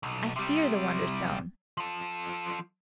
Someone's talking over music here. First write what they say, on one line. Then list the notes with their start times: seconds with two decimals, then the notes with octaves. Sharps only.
I fear the Wonderstone.
0.03 B1
0.36 C3 G3
1.77 F3 A4